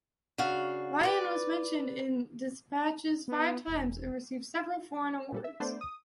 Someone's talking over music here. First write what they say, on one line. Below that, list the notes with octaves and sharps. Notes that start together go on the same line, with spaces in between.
Vian was Mentioned in Despatches five times, and received several foreign awards.
C#3 D4 F#4 F5
B4 D5
B3
E1
A#2 G3 A4
E5
A3 B3 D4 C5 D5
D#6